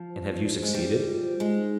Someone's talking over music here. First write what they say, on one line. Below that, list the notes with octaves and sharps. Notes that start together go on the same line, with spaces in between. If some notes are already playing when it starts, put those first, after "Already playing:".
"And have you succeeded?"
Already playing: F3
C5
F4
G#4
C5
G#3
G3 G#4
F4
F4
C5
G#3 D#4
D#4